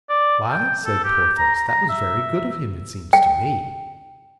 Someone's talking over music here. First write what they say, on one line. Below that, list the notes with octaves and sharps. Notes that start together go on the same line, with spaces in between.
"Why," said Porthos, "that was very good of him, it seems to me."
D5
G5
A4
G4
A#5
A#5
A#5
E5
G5